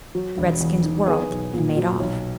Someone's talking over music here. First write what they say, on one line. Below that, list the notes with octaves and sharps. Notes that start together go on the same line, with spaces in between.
The redskins whirled and made off.
F#3
E1
E2
D#3
B3 G#4
B1
A#2
F#3
B1